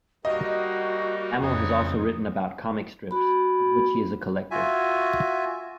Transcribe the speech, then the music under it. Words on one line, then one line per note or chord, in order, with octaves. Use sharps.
Hamill has also written about comic strips, of which he is a collector.
G3 A#3 D#4 F#4 D#5
F2 C#3 E3 D#4 C#5 D#6
F#4 B5
F4 F#4 E5 G#5